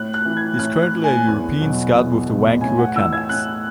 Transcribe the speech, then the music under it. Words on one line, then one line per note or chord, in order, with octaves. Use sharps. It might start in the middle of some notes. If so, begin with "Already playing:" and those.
He is currently a European scout with the Vancouver Canucks.
Already playing: A2 F#6
F#6
E3
G#6
A2 F#6
F#6
E3
G#5
E2
B2 F#3
E2
B2 F#3
A2 G#5
F#5
E3 E6
G#6
A2 F#6